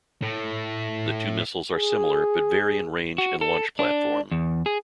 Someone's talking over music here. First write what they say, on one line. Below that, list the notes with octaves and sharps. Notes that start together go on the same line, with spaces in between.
The two missiles are similar, but vary in range and launch platform.
A2
G#4
F#4
A4
D4
E2
G#4